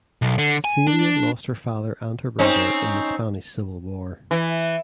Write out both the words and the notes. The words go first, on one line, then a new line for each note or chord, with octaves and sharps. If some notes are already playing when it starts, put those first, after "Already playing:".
Celia lost her father and her brother in the Spanish Civil War.
B1
D3
G#5
D4
C4 C#4 D#4
E3